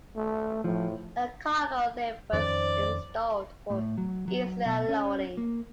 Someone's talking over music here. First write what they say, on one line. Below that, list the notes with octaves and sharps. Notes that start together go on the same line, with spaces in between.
A cargo lift was installed for easier loading.
A3
A2 F3
F2 D#3 C#4 C5 D5
A2
F#3
F#3
B2
C#4
A#3